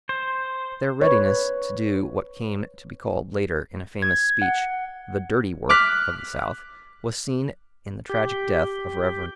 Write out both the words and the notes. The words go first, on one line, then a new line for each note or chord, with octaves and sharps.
Their readiness to do what came to be called later, in a famous speech, the "dirty work" of the South was seen in the tragic death of Rev.
C5
B4 C#5
G#6
F#5
D6 F6 F#6 B6
G4